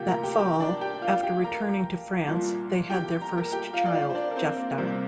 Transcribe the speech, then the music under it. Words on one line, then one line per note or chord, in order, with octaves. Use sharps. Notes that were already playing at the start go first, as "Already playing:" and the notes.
That fall, after returning to France, they had their first child, Jephta.
Already playing: D2 C3 F3 A#3 F4 G4 G5
A#4 A#5
G4 G5
G4 G5
D4 D5
G4 G5
F4 F5
G4 G5
A#4 A#5
C2 A#2 F3
G4 G5
A#5
A#4 A#5
G4 G5
F4 F5
D5
F4 F5
C5
D4 D5
A#4
C4 C5
A#3 A#4
C2 C3 A#3 C4 C5